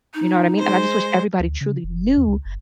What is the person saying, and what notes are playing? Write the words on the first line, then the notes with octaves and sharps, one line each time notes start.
You know what I mean? And I just wish everybody truly knew
D#4
G#3 C5
D2
C#3
F1
E2
C#2
F#1